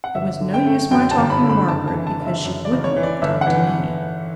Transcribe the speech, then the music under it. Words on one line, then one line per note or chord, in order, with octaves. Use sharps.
It was no use my talking to Margaret, because she wouldn't talk to me.
F#5
G1 E5
D3
G5
A3
F#2 G5
A5
G1
B5
D3
B5
F#1 A5
A5
E3
A5
F#1
E5
F#2
D5
F#1
C#5
E3
D5
G1 E5
F#5
E3